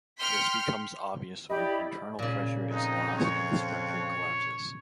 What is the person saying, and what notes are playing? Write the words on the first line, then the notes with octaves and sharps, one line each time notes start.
This becomes obvious when internal pressure is lost and the structure collapses.
G5 C6 F6 B6 C#7
E4 G4 D5 D#5 B5
A#2 C#3
F2 D#4
C#5